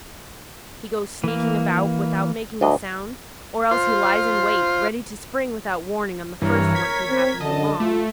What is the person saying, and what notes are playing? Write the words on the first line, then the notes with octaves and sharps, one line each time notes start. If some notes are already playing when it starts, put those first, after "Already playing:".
He goes sneaking about, without making a sound, or else he lies in wait, ready to spring without warning on the first one who happens along.
E3 A#3
D2 D4 D#5
F4 C5
G2 E3 A#4 C#5
G#6 B6
C4
F#2 D3 D#5 A5
A3 F4